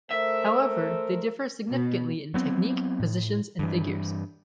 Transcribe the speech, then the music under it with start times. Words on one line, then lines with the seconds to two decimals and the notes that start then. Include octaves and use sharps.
However, they differ significantly in technique, positions, and figures.
0.11 A3 A#4 C5 E5
1.70 B2
2.34 F#3 B3 C4
3.00 A2
3.59 G2 E3